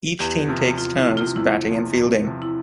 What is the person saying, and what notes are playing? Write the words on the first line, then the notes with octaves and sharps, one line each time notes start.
Each team takes turns batting and fielding.
E2 G4
C3 F3
E2 F4
E4
C3 F3
F4
E2 E4
C3 F3
E2
C3 F3
E4